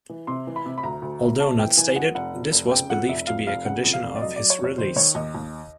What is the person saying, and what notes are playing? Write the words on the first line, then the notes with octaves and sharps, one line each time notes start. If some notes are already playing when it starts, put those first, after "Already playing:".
Although not stated, this was believed to be a condition of his release.
E3
C3 C6
E3
B5
C3
B5
D2 A#5
D2
D2
C3 A5
E3 G5
E3 G#5
F2 F#5
F1 F#5
F3
F1
C#3 G5
F2 F#5
F1 E5
F2 F5
F1 F5
C#3 F#5
F2
F5
F1
D5
F#3 D#5
F#3 D5
C#5
F1
C#5
D#3 C5
D#3 C#5
D#2 D#5
D#2